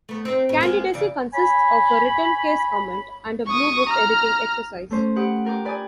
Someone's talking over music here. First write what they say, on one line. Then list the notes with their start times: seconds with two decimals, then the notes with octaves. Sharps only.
Candidacy consists of a written case comment and a Bluebook editing exercise.
0.09 A3 B3
0.25 C4 D#4 C5
0.49 A2
0.61 G#3 A#3 B3
0.94 E2 C#3 D5
1.33 C#5 G#5 B5
3.47 C#6 D#6
3.89 A#5 F6
4.91 A3 C#4 C5
5.16 G4 B4 F#5 D#6
5.45 F4 A#4 G5 D6
5.65 B4 D5 G5 G#5 D#6